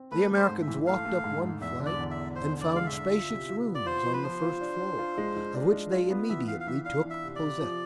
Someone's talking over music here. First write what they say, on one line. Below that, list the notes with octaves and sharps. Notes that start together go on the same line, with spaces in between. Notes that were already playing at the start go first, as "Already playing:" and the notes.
The Americans walked up one flight and found spacious rooms on the first floor, of which they immediately took possession.
Already playing: C4
A3 B4
A3
C5
G#2
E5
E3
A3 F5
A3
G#2
G#2
E2 E5
D3
D5
E2
E5
E2
D4 C5
D3
D5
G#3 F5
E5
D3
F4
C3
F4
B3
D5
F4 C5
F3
B4
F3 C5
F4
D4
D4
F4
G#3
G#3
D4
G#3
F4
B3
E3 E5
E3 F5
F5
E3 E5
D4 F5
E3
E5
C3
D5
C3
F3